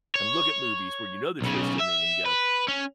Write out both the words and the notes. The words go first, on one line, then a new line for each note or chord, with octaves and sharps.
and look at movies where you know the twist ending and go
C#5
B1 C#3
E5
B4
C#4